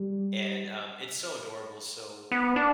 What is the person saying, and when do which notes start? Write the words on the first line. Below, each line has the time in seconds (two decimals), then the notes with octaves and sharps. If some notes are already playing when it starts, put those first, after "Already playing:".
and, um, it's so adorable. So,
Already playing: G3
2.32 B3
2.56 D4